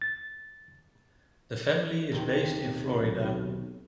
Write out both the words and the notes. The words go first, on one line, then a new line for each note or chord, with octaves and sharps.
The family is based in Florida.
A6
D#2 C3
B1